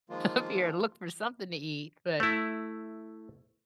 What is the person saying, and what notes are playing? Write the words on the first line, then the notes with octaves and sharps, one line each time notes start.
up here and look for something to eat, but,
D#3 F3 G#3 A#3 F4
A3 E4